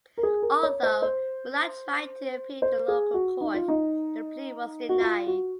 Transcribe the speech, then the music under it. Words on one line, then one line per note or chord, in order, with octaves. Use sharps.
Although Muhlach tried to appeal to the local court, the plea was denied.
A#4
G#4
A#4
C#5
C5
C5
C5
G#4
F#4
D#4
F4
D#4
F#4
F4
F#4